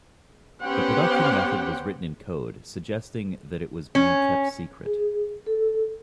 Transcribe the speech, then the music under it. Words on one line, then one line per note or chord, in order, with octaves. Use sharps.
The production method was written in code, suggesting that it was being kept secret.
B3 C#4 G4 C5 F#5 G5
C#4
G#4
A4